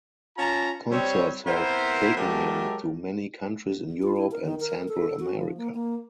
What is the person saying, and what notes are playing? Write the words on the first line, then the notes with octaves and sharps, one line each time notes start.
Concerts have taken him to many countries in Europe and Central America.
C#4 F4 A5 A#5
G3 C4 C#5
B3 C4 E4 A#4 C5
F#3 G#3 A3 G4 A4 A#4
F4
E4
A#4
D#3
A#4
A4
F#4
F3
A#3
A#3